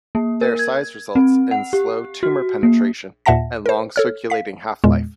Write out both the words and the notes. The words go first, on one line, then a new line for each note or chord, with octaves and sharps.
Their size results in slow tumor penetration and long circulating half-life.
A#3
A#4
G#6
C4
F#5
G4
F#4
A#3
D#2 A#2 E5 F#5 A5 A#6
A#4 C5
A4 C#5 F6
F5 B6
E2 A#2 G#3